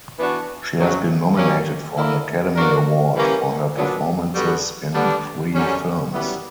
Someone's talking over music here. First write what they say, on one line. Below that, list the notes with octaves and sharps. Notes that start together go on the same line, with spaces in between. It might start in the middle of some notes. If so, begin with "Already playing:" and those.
She has been nominated for an Academy Award for her performances in three films.
E3 B3 D4 F#4
F#2 C#3 F#3
G2 F#3 A#3 C#4
D3 A#3 E4 A#4
E3 A#3 D4 F#4 A#4
E3 G3 A#3 C#4 G4
A#2 F#3 B3 D4
D3 G3 B3 F#4
D3 G3 B3 D4
F#2 D3 G3 C#4
F#2 E3 G3 B3